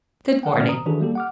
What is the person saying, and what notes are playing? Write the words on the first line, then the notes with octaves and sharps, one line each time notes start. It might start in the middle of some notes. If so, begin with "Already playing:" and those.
Good morning.'
A#4 F#5 G5
A2 D3 B3 C#4 D5 F6
A#5 D#6
D#3 E3 D4 F#4 G#4 A4
G3 A#3 G4 A4
F#5 D6 F6